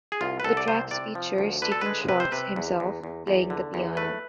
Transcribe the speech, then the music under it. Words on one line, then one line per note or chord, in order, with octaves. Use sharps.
The tracks feature Stephen Schwartz himself playing the piano.
G#4
C2 F4
B4
C2 A4
D5
C3 C5
C3 D5
F3
D2
D3 B4
A4
G#3 B4
C3 B4
C5
C3 B4
E2
E2
E2
E2
D3
E2
A3 B4